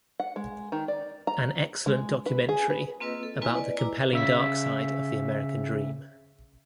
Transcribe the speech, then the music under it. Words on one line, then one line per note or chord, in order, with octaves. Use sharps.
An excellent documentary about the compelling dark side of the American dream.
F#5
G#3
D#3
D5
A#5
G#3
B4
G#4
B4
A#3 C4 F4 B4 D#5 E6
A4
A#3 C4 E4 F4 B4 G#5
B4 D5 D#5
E4 B4 A#5 D6
C#3 E5 B6